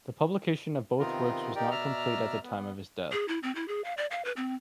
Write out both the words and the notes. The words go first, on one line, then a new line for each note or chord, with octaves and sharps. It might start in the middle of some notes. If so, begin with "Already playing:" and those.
The publication of both works was not complete at the time of his death.
C3 D#3 B3 F4 A#4
D#4 G4 A#4 D5 G5
B2 D5 E5 A#5 F6
B3
G#4
E4
C4
E4
G#4
F5
D5
F5
B4
C4